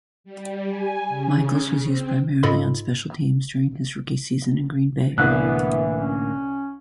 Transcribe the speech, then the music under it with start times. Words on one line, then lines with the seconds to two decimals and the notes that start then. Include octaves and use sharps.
Michaels was used primarily on special teams during his rookie season in Green Bay.
0.24 G3
0.69 G#5
1.09 C#3
1.83 C4
2.43 G#2 F4 A4 D#5 B5
5.18 C2 A2 D3 E3 A#3 B3 F#6
5.99 C#4